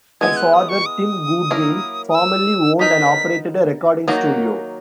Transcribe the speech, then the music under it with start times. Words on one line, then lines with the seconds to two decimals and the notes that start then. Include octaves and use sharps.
Her father, Tim Goodwin, formerly owned and operated a recording studio.
0.21 G#3 B3 E4 G#6
0.37 F#6
0.53 D#6
0.69 C#6
0.86 D#6
1.50 F#3 A#3 E4 A#4
2.09 D#6
2.15 E6
2.79 B3 D#4 A#4 B6
4.08 D#3 F#3 A#3 D#4 F#4